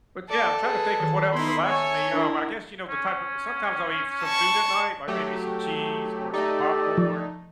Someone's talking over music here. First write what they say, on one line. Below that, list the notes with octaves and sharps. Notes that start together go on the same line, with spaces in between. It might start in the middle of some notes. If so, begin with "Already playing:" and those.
But yeah, I'm trying to think of what else relaxes me. Um, I guess, you know, the type o sometimes I'll eat some food at night, like, maybe some cheese or some popcorn,
A4 D5
G#4 B4
D#3
B3 D#4 E4 B5 C6
A4 C#5 E5 G#5
D4 E4 A#4
C#4
A5 C#6
F#3 A3 G4
A3 D#4 G4 A4 D5
F3